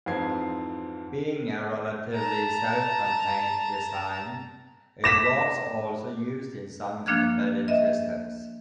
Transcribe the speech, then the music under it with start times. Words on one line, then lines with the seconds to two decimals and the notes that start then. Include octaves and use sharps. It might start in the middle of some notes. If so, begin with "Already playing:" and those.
Being a relatively self-contained design, it was also used in some embedded systems.
0.06 F2 G#2 E3 C4 G#6 C7
2.14 A5 A#5
5.04 D6 A#6 B6 E7
7.06 F3 A#3 D4 F6 F#6 G#6
7.68 D#5 E5